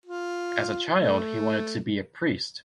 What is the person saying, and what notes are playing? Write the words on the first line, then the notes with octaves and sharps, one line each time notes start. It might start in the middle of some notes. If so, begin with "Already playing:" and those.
As a child he wanted to be a priest.
F4
A3